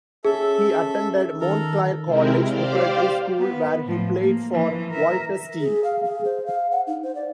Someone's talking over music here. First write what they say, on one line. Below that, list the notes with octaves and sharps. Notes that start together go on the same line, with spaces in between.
He attended Montclair College Preparatory School where he played for Walter Steele.
C#4 G#4 A4 E5
D#3 A4 A#4
C3 G#3 C4 E4 A#4
G4 C5 D5 F5
B3 B4
A2 F3
A#3
E3 F3
A#4 E5
G#4
F5
G#4
C5
F5
F#5
D#4
C5
D5